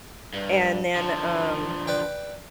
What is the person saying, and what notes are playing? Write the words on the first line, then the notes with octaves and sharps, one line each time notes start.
and then, um,
G2
D3 F3
B4 D5 G5